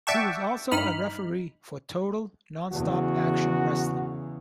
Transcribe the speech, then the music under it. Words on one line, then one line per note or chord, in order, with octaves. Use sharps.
He was also a referee for Total Nonstop Action Wrestling.
D5 E5 F#5 G5 A5 C#6
G2 D#4 B5 F6
E2 C#3 F#4